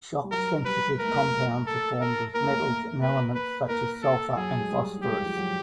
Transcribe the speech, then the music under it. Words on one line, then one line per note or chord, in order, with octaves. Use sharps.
Shock-sensitive compounds are formed with metals and elements such as sulfur and phosphorus.
G3
F#3 A#4
G3 B4
A3 A#4
A#3
A3
A4
A#4
A#3 A#4
A3
A#3
A#3
B4
B4
A#3 A#4
A4
F#3 G#4
G#3
G3
G3
G#3 G4
F3
F#3